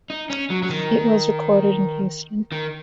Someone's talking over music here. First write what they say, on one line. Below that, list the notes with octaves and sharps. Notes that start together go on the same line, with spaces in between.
It was recorded in Houston.
D#4
C#4
F#3
F#3
D#3
D#3